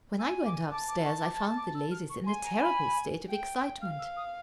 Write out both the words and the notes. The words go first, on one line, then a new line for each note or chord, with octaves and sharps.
When I went up-stairs, I found the ladies in a terrible state of excitement.
G#5 E6
D6
A5 D6
D6
C#6
D6
C#6
D6
E6
F6
C#6
G#5 C6
A#5
B5
G5
F5 F6
E6
D#6